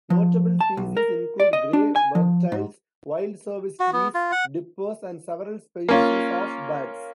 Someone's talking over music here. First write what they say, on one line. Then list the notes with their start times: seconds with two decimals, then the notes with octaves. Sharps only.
Notable species include grey wagtails, wild service trees, dippers and several species of bats.
0.10 F3
0.61 A5
0.77 B1
0.97 A#4
1.40 D5
1.53 D#5
1.73 D4
1.96 G#5
2.15 F3
2.52 G#2
3.80 F#4
3.93 B3
4.14 F4
4.32 F#5
5.89 A#3 C#4 F4